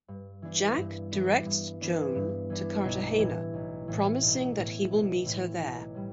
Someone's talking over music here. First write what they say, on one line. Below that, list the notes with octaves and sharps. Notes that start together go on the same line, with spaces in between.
Jack directs Joan to Cartagena, promising that he will meet her there.
G2
E3 B3 D4
G2
E3 B3 D4
G2
E3 B3 D4
G2
E3 B3 D4
B1
A2 E3
B1
A2 E3
B1
A2 E3
B1
A2 E3
B1
A2 G3